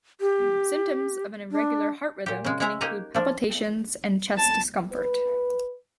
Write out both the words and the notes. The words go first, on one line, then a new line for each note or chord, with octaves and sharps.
Symptoms of an irregular heart rhythm can include palpitations and chest discomfort.
G4
D4
A#2 G4
C#3 G#3
G#3 C#5 E5 A#5
A#3 D#4 G4 F#5 G#5 A#5
F3 D4
A5
B4